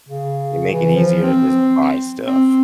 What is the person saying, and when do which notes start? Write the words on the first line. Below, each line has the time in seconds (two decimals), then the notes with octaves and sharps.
they make it easier to just buy stuff.
0.09 C#3
0.72 E3
0.95 F3
1.23 C4
2.27 C4